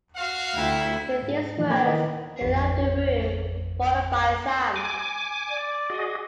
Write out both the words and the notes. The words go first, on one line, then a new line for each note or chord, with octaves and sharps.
With these words he left the room, followed by Sam.
F#4 F5 F#5
D2 D3 E4 G5 E6
G#2
A2 E3 F3
A#3 A4 B5 D6 G#6
D#3 E4 A#4 B4 D#5
A1 F2
G#5 D6
D5
F#4 G#4 D#5